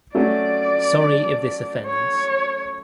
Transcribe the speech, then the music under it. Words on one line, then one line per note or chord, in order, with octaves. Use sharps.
Sorry if this offends.
F#3 A3 C#4 D5
C#5